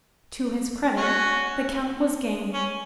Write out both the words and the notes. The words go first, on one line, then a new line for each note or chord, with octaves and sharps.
To his credit, the count was game.
C#4 F#4
C#4